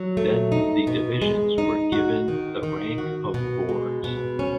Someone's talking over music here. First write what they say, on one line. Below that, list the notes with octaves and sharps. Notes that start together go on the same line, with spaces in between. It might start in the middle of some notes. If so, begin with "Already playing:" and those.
Then the divisions were given the rank of boards.
Already playing: F#3
A3
D#4
B2
G#3
D#4
F#4
D#3
D#3
F#4
B2
G#3
B2
C#4